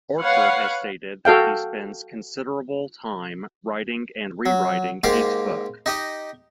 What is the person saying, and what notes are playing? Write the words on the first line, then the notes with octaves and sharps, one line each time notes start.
Archer has stated that he spends considerable time writing and re-writing each book.
B4 C#5 F5 F#5
F#4 A4 F5 G5
F#3
G#2 A#3 G4 F5 C6 D6
D#4 G4 D#5